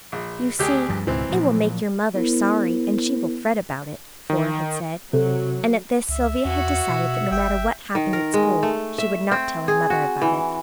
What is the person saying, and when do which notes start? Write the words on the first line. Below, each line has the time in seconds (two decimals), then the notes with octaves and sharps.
"You see, it will make your mother sorry, and she will fret about it," Flora had said; and at this Sylvia had decided that no matter what happened at school she would not tell her mother about it.
0.12 A#1
0.59 D2 G4 G#4
0.89 G2 F3
1.07 C#2 G#2 B2 E3 C4
1.29 A#2 F3 F#3
2.14 B3 E4 A#4 C5
4.30 D#3
5.13 C3 F#3 A4
6.09 C#2 E5
6.45 E2 F#4 C#5
6.89 B2
7.32 G1 E5 G5
7.95 D#3
8.13 A#4
8.34 G#3
8.63 A3
8.98 E5
9.32 C4
9.68 G#4
9.90 F#4
10.22 E3